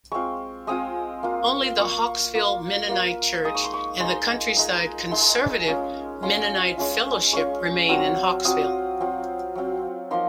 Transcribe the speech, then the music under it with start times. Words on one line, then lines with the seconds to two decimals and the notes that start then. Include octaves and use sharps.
Only the Hawkesville Mennonite Church and the Countryside Conservative Mennonite Fellowship remain in Hawkesville.
0.11 G#3 C4 F4 C#6
0.67 G#3 C4 F4 D#6
1.23 A#3 F4
1.79 A#3 F4 C#6
2.35 A#3 F4
2.89 A#3 F4
3.44 G#3 D#4 D#6
3.55 C#6
3.64 C6
3.74 C#6
4.00 G#3 D#4 C6
4.57 G#3 D#4
5.11 G#3 D#4 C6
5.67 G#3 C#4 F4
6.22 G#3 C#4 F4 C6
6.77 G#3 C#4 F4
7.33 G#3 C#4 F4 C#6
7.89 F#3 C4 F4
8.45 F#3 C4 F4 D#6
9.01 F#3 C4 F4
9.55 F#3 C4 F4
10.11 F3 A#3 D#4 C6